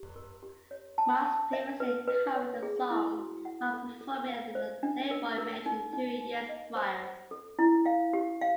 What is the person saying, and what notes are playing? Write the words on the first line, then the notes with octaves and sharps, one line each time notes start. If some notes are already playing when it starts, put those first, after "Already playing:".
Mars previously covered the song while performing at the Playboy Mansion two years prior.
Already playing: G4
A#4
G4
C#5
A5
A5
E5
B4
B4
C#5
G#4
E4
F#4
F#5
A4
A4
F5
C5
D4
A#4
A#4
D#4
D#4
D#4
D#5
C5
C5
A4
E4
F5
G4
F5